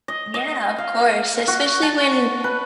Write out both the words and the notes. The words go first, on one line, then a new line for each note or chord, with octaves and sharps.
Yeah, of course, especially when
D#5
D#5
F5
F#4
A5
B4